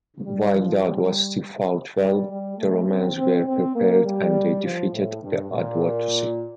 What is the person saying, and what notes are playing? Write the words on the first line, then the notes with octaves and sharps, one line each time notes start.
While the Aduatuci fought well, the Romans were prepared and they defeated the Aduatuci.
G3
F3
G3
G3
G3
A3
C4
C4
C4
A#3
G3
F3
A2
G2
A#2